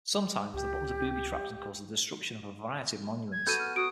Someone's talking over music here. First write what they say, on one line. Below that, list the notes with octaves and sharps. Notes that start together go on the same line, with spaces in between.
Sometimes the buttons are booby-trapped and cause the destruction of a variety of monuments.
G3
C#2 G4
G#6
B3 F#4 A4 G6 D#7
F6
F#4 D#6 D7